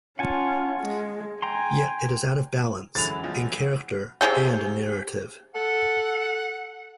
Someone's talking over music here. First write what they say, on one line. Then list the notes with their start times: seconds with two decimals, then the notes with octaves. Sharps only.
Yet it is out of balance, in character and in narrative.
0.19 C#4 F4 F#5 G#5 A5
0.81 G#3
1.42 G5 G#5 A#5 C6
2.95 F#2 D3 E3 F#3 G#3 A6 F7
3.23 B1 F3
4.21 C3 E4 G#4 G5
5.55 A4 F#5